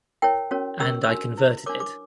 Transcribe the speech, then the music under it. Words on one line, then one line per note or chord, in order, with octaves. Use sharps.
And I converted it.
E4 A#4 C#5 G5
C#4 F#4 A#4 C#5
C#4 G4 A#4 E6
E6
D4 F#4 A#4
E4 B4
D4 A#4 C#5 D6
D6